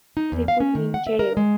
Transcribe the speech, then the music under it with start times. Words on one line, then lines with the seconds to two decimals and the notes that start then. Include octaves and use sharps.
They put me in jail.
0.17 D#4
0.32 E2
0.48 F5
0.60 C#4
0.75 D#3
0.94 F#5
1.07 E5
1.19 A#4
1.37 G#3